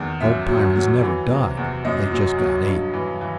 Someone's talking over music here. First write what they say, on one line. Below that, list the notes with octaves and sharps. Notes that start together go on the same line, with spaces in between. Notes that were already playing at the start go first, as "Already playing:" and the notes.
Old Pyrrans never died, they just got et.
Already playing: E2 D#3
F#2 E5
F#3
F#3
E3
C3
E2
F#2 D#5
F#3
F#3
G2
E3
E3